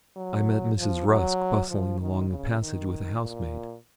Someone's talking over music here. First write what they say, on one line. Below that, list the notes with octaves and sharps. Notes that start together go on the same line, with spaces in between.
I met Mrs. Rusk bustling along the passage with a housemaid.
F#3
F3
F#3
F3
D#3
C#3
D#3
A#2